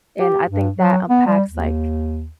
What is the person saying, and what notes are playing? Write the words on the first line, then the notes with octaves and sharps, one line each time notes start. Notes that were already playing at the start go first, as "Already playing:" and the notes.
And I think that unpacks, like,
G4
G2
F#3
B3
G3
D#2